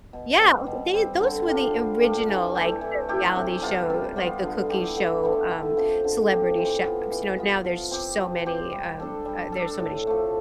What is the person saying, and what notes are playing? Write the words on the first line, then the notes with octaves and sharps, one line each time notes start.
Yeah, I was like they those were the original, like, the reality show like, the cooking show, um, Celebrity Chefs. You know, now there's so many, um, uh there's so many shows that
B2
G3 C4
B2
G3 C4
D3
G3 D4 F4
D3
G3 D4 F4
E3
A3 E4 G4
E3
A3 E4 G4
C3
G3 B3 F4
C3
G3 B3 F4
D3
A3 E4 G4
D3
A3 E4 G4
D3
F3 C4 G4
D3
F3 C4 G4
E3
B3 F4
E3
B3 F4
F3
C4 G4
F3
C4 G4
G3
D4 A4
G3
D4 A4
A2
F3 A3